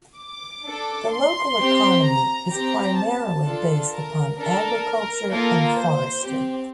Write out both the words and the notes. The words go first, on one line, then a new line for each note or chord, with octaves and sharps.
The local economy is primarily based upon agriculture and forestry.
D6
D4 A4
C6
C4 G4
A#5
C4 G4 A#5
A5
D4 F4 A4
A#4
D4 A4 A#4
A#3 F4 A4 A#4
C5
C4 G4